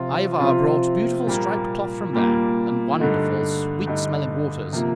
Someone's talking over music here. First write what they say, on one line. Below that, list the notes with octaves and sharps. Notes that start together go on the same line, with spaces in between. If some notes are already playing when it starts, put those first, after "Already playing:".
Ivar brought beautiful striped cloth from there, and wonderful, sweet-smelling waters.
Already playing: C3 F3 C4 F4
C3 F3 C4 F4
A#2 G3 A#3
A#2 G3 A#3
G2 D3 A3 D#4
G2 D3 A3 D#4
C3 F3 A#3